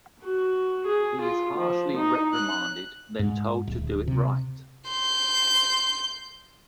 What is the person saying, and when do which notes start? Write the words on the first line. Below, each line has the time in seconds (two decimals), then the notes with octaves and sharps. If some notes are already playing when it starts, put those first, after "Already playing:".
He is harshly reprimanded, then told to do it right!
0.25 F#4
0.87 G#4
1.22 F4
1.57 F3
1.96 D#4
2.33 F#6
3.19 G#2
3.68 D1
4.08 C3
4.90 C6 G6